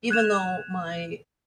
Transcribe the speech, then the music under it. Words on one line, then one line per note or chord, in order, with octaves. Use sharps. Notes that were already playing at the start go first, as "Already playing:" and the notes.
Even though my
F#6 G#6 E7 F7